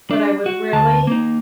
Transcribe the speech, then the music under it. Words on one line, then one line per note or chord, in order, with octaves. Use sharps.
but I would really
D4
F#4
D2 A5
A#3 D#4